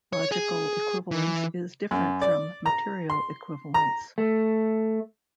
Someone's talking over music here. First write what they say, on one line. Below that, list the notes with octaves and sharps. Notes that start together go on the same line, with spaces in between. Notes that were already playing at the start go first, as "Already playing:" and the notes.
Logical equivalence is different from material equivalence.
C#5
G#4
E3
F#2
D5
A#5
C6
A#5
A3